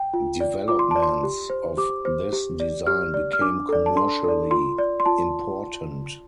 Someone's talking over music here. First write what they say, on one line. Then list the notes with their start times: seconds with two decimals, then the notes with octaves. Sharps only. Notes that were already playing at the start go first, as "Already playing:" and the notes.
Developments of this design became commercially important.
Already playing: G5
0.14 F4
0.40 D5
0.68 F4 D6
0.79 C6
0.91 D5 A5
1.02 C6
1.23 G4
1.50 C5
1.77 G4 D6
2.05 C5
2.32 G4
2.60 D5
2.87 G4 F6
3.14 D5
3.33 F6
3.41 D4 D6
3.69 A4 D5
3.86 A5
3.96 D4 C6
4.24 A4 D5
4.51 F4 C6
4.78 D5
5.00 C6
5.06 F4 A5